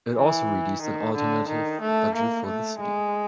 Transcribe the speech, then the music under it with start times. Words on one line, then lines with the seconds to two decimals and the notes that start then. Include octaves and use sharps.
It also released an alternative budget for the city.
0.16 E3
0.82 D#3
1.15 D3
1.48 D#3
1.81 A3
2.14 A#3
2.46 A3
2.80 G#3